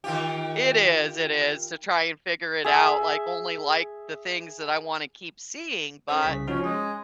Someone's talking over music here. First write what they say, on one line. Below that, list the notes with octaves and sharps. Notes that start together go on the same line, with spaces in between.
It is, it is to try and figure it out, like, only like the things that I wanna keep seeing, but
D#3 F4 G4
G#4 E5
C#4 A4 C5
C2 C#3 B6
F3 C#4 D#4 F#4
G#3 C#4